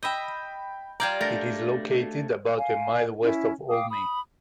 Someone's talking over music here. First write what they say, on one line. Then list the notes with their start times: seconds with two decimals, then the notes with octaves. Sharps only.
It is located about a mile west of Olney.
0.03 D#5 E5 G5 B5 G6
1.00 G3 F4 D5 A#5 G6 G#6
1.21 A3 D4 A#4 A6 A#6
2.58 F5 G#5
3.22 C#4 E4
3.69 F5 G5 D6 D#6
3.90 B5 D#6